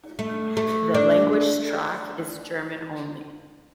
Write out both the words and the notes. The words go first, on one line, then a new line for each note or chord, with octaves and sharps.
The language track is German only.
A3
A3
D4